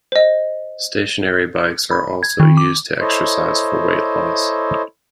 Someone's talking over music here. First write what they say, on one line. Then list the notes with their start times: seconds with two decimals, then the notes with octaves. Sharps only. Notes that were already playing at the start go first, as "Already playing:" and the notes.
Stationary bikes are also used to exercise for weight loss.
0.12 C5 D#5
1.91 B5
2.23 G#6
2.40 D#3
2.57 D6
3.00 E4 A4 C5 C#5 D#5